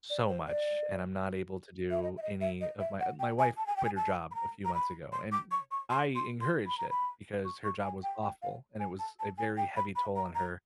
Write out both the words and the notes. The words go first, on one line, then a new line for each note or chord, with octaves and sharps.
so much, and I'm not able to do any of my my wife quit her job a few months ago, and I encouraged it because her job was awful, and it was a very heavy toll on her.
D5
C5
D5
E5
D#5
E5
D#5
E5
D#5
E5
F#5
G5
G#5
A5
G#5
G5
G#5
A5
B5
A#5
A#5
B5
C6
D6
C#6
C#6
C6
C6
C6
B5
A#5
B5
C#6
C#6
G#5
G5
G5
F5
G#5
A5
A5
G#5
G5
B5
B5
A#5
A#5